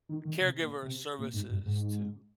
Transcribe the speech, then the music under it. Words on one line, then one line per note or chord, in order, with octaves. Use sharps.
caregiver services to
D#3
D#3
C3
A#2
C3
A#2
G#2
G2
G#2